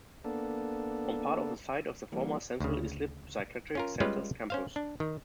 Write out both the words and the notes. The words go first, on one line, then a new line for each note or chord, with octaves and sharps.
On part of the site of the former Central Islip Psychiatric Center's campus.
A#3 B3 D4 A4
E3 G3 A#3
D2 C#3
C#4 F4 A#4
G3 G#3 C#4 F4 B4 F5
C#4 C5 F5
D4
D#3